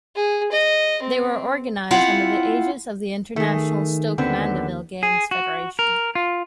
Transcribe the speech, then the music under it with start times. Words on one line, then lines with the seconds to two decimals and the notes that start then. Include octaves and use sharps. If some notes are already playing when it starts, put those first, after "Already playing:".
They were organised under the aegis of the International Stoke Mandeville Games Federation.
0.16 G#4
0.52 D#5
1.03 C4
1.91 C4 E4 F4 F#5
3.36 D#3 A3 G#4
4.18 D#2 D3 B3 C4
5.03 G#4
5.31 F#4
5.79 A#4
6.15 F4